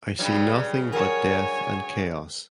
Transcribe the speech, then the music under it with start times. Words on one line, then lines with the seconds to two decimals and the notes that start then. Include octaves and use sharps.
I see nothing but death and chaos.
0.19 G2 C#3 F#3
0.92 A#4 C#5 F#5 G#5